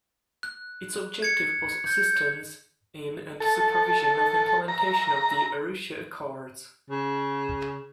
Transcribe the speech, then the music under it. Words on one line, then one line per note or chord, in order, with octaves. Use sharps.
Its objective was assistance in and supervision of implementation of the Arusha Accords.
F#6
G#6 C#7
G6
A4
A#5
C#3